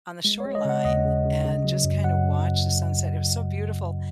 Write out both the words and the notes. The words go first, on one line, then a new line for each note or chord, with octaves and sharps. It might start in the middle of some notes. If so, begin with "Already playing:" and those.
on the shoreline, and just kind of watch the sunset. It was so beautiful,
G#3
C#5
G#3
D#5
C#3 F#5
D#2 D#5
C#3
C#3
C#3
F#3
F#2
F#3 F#5